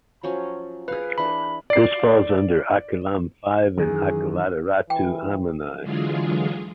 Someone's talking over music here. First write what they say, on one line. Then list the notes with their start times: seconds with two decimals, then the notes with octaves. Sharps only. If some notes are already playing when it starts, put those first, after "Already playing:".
This falls under Akilam five in Akilattirattu Ammanai.
0.23 F3 F#3 C#4
0.88 G#4 B4 F5
1.18 E3 D4 B5
1.70 D5 C7
3.78 F#2 D#3 E3 G#4
4.90 E3 G5
5.81 D3 E3 F#3 G#3 F4 G#4